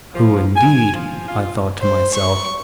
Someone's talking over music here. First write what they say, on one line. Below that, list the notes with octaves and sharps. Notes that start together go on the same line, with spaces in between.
"Who, indeed," I thought to myself.
F3
G#5
F3
F4
C5
C#6